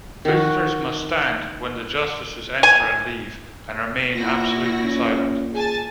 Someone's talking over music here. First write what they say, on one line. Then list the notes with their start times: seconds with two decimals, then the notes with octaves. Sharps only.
Visitors must stand when the Justices enter and leave, and remain absolutely silent.
0.25 D#3 F#4
2.63 G#5
4.15 A#2 E4 F#4 A#6
4.83 C#4
5.54 G#4 G#5 A5 A6